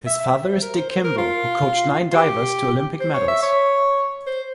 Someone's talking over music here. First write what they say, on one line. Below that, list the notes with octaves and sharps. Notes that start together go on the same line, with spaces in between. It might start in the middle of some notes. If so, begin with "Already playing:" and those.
His father is Dick Kimball, who coached nine divers to Olympic medals.
E5
E5
C5
A#4
C5
C5
A#4
F4
F4
G4
C5
C#5
E5
C#5
C5